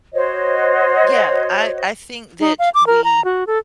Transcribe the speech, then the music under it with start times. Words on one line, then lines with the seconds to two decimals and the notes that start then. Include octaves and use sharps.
Yeah, I I think that we
0.13 F#4 C5 C#5 D#5
2.40 D#4
2.59 F5
2.74 D6
2.87 A#4
3.04 A#5
3.25 F#4
3.47 A4